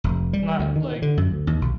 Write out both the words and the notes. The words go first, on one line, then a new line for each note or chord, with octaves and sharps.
not, like
F1
G3
D2
D#3
D3
F#2
D2
D#2
B1